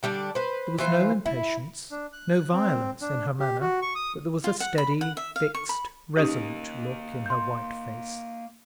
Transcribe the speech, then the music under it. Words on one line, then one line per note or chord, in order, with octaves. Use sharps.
There was no impatience, no violence in her manner: but there was a steady, fixed, resolute look in her white face.
D3 G3 D4 D5
B4 C5
E3 F4 C5
E4
D4
F#6
C4
D4
G4
F#4
C#6
D#6
F4
F#5
B5
F#5
E5
F5
C#6
B5
A#3 C#4 D#4 G4 D#5
C6 G6